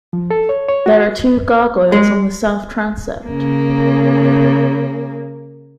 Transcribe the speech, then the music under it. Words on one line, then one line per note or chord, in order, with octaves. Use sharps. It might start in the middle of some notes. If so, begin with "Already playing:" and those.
There are two gargoyles on the south transept.
F3
A4
C#5
C#5
F#4
G#3
C#3 A#3